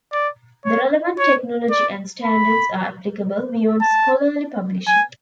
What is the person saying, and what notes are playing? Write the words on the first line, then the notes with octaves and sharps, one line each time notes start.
The relevant technology and standards are applicable beyond scholarly publishing.
D5
C#5
C#5
D5
B5
A5
G#5